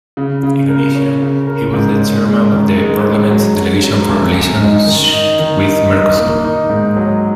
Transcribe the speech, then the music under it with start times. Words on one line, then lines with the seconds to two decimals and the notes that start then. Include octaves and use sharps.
In addition, he was the chairman of the parliament's delegation for relations with Mercosur.
0.17 C#3
0.43 C#3
0.69 A#4
0.95 C#4
1.22 C#3
1.47 A#4
1.74 G#2
2.00 C#4
2.26 G#3
2.52 D#3
2.77 G#3
3.04 G#3
3.30 F#3
3.56 F#3
3.83 F#3
4.09 F#2
4.34 F#2
4.61 D#4
4.87 D#3
5.13 D#4
5.39 D#3
5.65 D#4
5.92 D#4
6.17 A#3
6.44 D#4
6.69 G#2
6.97 F#3